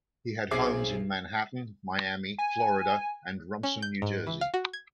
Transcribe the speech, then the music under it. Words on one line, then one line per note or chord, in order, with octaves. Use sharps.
He had homes in Manhattan, Miami, Florida and Rumson, New Jersey.
B1 C4 G#4 E5 D6 C7
G#5
C#4
G6
G#2
E3
F5
F#4
G#6